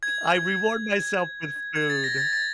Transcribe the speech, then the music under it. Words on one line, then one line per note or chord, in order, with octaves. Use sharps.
I reward myself with food,
G#6
G#6
A6
A#6
A6
A6